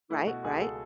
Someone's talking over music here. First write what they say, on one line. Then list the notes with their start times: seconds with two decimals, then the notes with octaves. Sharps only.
Right, right.
0.10 A3 E4
0.27 B2 F#4
0.44 C#2 G#4
0.62 A4